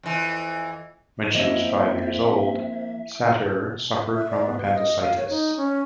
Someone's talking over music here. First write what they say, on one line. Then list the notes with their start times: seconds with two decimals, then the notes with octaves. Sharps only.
When she was five years old, Satir suffered from appendicitis.
0.03 F2 E3
1.35 F3 A#3 C4 E4 C#5 D#5 E5
4.15 E5
4.31 D5
4.47 B3
4.63 F5
4.75 D#5
5.00 F5
5.17 C#5
5.30 D#4
5.57 C#4